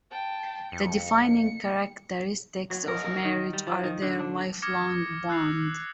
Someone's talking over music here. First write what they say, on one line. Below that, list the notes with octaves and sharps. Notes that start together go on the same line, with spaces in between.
The defining characteristics of marriage are their lifelong bond.
G5 A5
F2 C#7
F#3
A#4
A#4
D#3
G3
F3
D#3
D3
D4
D6 D#6 F6 G#6 A#6 C#7
E6 F#6 A6 C7 F7